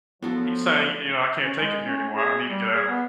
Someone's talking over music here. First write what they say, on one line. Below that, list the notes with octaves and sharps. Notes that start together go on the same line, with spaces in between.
he's saying, you know, "I can't take it here anymore. I I need to get out."
A2 F3 F#3 B3 D4 A4
C#4
G#3
C#4
G#4
G3
G#4
B3